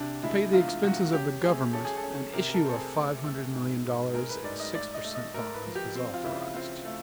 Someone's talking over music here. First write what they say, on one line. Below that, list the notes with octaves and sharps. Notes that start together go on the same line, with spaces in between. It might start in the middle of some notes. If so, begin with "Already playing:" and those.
To pay the expenses of the Government an issue of five hundred million dollars in six per cent. bonds was authorized.
Already playing: C3 D4
G#3 E4
E2 F4
E2 F#4
C#4 G4
A3 G#4
C#4 A4
G#4
A4
C#4
C3 A#4
A#4
A4
C4 A4
G#4
A3
A3
G#2
G#2
G#3 A#4
B4
G#2 D5
D#5
A3 D5
D#5
A3
D#5
A3 A#4
B4
F3
G4
C4
F4
C#3 E4
C4 F4
A3